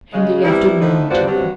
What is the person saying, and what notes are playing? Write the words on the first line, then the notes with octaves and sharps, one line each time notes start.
'In the afternoon, tell them.
C#3 G#3
C3 G3 B3 E4
A2 D3 D#3 F3 D#4 E4
G2 B3 F4 F#4 C5 D5
G2 C3 F#3